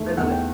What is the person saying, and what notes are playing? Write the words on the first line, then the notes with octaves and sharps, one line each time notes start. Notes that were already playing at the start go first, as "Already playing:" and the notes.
I love it.
Already playing: E2 D#3 A3
E2 F#5
G5